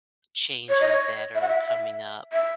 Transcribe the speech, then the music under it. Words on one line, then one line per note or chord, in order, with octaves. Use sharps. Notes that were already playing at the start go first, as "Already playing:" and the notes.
changes that are coming up
C#5
D#5
C#5
E5
F#5
E5
E5
E5